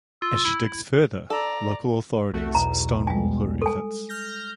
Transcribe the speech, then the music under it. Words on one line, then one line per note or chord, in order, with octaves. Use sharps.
As she digs further, local authorities stonewall her efforts.
F4 E6
E4
A4 D5 A#5
C2 A3 F#4
B1 E2 B2 A#5
G3 G#3 G#5
A4 G#5
F6 G6 A#6